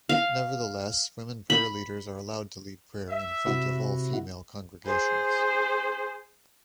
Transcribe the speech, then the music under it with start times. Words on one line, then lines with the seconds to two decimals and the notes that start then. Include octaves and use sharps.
Nevertheless, women prayer leaders are allowed to lead prayer in front of all-female congregations.
0.09 F5
1.50 B5
3.10 E5
3.46 C3 E4 F#4
4.85 G#4 C5